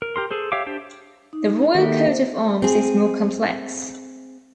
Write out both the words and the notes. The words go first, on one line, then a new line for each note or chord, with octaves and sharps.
The Royal Coat of Arms is more complex.
A#4
G4 A#4 C6
G#4 A4 C5
G4 C#5 E5 F5 D6
D4 G4 C5
D#4
D#3 A#3 G4 A4 E5
C5
C4 G#4